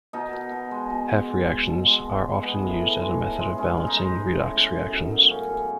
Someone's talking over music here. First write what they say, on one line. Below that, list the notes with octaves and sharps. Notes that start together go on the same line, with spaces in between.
Half-reactions are often used as a method of balancing redox reactions.
B2 D#4
B2
B2
G#3
B2
G#3
G#3
G#3
B2
G#3
B2
G#3
G#3 B3
A2
A2
G#3
A2
G#3
G#3 C#4
G#3
D#4
G#3
G#3
A2
G#3
F#2
F#2
F#2
C#3 C#4
F#2